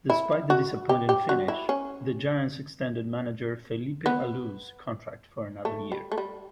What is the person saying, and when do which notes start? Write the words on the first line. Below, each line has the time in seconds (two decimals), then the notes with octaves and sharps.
Despite the disappointing finish, the Giants extended manager Felipe Alou's contract for another year.
0.10 E4
0.50 F#4
0.89 G4
1.09 G4
1.29 F#4
1.48 E4
1.69 C#4
4.06 B3
5.65 A3
5.92 G3
6.12 A3
6.18 G3